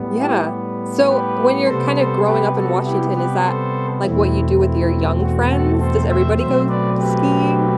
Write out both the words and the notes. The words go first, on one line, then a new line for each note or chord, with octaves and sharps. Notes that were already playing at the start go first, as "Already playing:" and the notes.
Yeah. So, when you're kinda growing up in Washington, is that, like, what you do with your young friends? Does everybody go skiing?
Already playing: A2 G3 B3
E4 G4
G4 B4
C3 G3 B3 A4 C5
A4 C5
G4 B4
F#4 A4
E4 G4
G4 B4
A4 C5
E2 B2 A3 C4 E4
E4
F#4
F#4 A4
A4 C5
C5 E5
B2 F#3 A3 C4 C5 E5
B4 D5
G4 B4